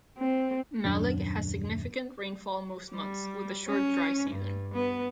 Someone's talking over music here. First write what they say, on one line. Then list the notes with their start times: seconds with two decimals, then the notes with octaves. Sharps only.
Mallig has significant rainfall most months, with a short dry season.
0.18 C4
0.84 D#1 F#2 D4
2.92 G3
3.69 C#4
4.30 G2
4.74 B3